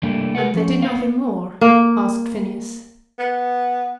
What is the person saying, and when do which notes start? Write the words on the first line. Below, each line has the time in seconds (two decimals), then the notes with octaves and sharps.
"And they did nothing more?" asked Phineas.
0.03 C3 G3 A3 A#3 D4
0.35 G4 A#4 B4 F#5
0.54 F3 C#4
0.82 B3 C5 F5
1.61 A#3
3.19 B3